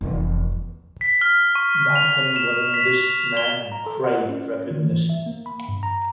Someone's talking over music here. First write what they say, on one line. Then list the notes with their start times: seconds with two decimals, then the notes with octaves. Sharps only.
Duncan was an ambitious man who craved recognition.
0.01 F1 E3
0.51 E2
1.01 B6
1.21 F6
1.55 C#6
1.96 F7
2.36 E7
2.74 B6
3.04 F7
3.37 G7
3.72 A#5
3.86 A4
4.04 F#5
4.29 C#4
4.71 D#3
4.85 E3
5.09 E5
5.26 A#3
5.46 B5
5.68 G2
5.83 A#5